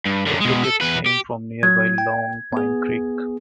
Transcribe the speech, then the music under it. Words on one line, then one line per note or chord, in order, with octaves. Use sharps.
It took its name from nearby Long Pine Creek.
G2
F#2 D3
B2 G#3
A4
E2 B4
G4
F#3 G#6
G5
B3 G#4